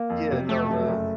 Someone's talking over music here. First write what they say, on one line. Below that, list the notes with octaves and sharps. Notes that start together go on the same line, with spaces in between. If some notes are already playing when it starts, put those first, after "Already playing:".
Yeah, no the
Already playing: A#3
F2
C3 F#3
F2 A3
C3 F#3
F#1